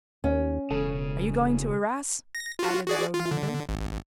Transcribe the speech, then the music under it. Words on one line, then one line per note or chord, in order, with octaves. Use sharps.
"Are you going to Arras?" added the road-mender.
D#2 C#4
E1 C#3 A4
A#6
F4 F#4
F#4 G#4 D5
F4
D3
G#1